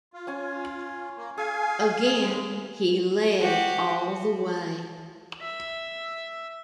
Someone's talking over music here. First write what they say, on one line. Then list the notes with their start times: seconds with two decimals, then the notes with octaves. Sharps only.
Again he led all the way.
0.13 F4
0.27 C#4 G#5
1.17 A#3
1.38 G#4 F5 G#5
2.19 D#2 G#3
3.40 F#4 G4
5.42 E5